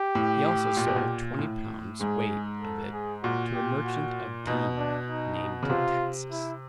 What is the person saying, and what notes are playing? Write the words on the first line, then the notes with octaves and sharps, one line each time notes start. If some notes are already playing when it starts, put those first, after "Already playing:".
He also sold twenty pounds weight of it to a merchant of Digne, named Taxis.
Already playing: G4
A2
A#2
B2
A#2
A2
G#2 G#4
A4
G#4
A#2 F#4
G4
F#4
B2 D#4
D4
D#4
C#3
C3 F4
E4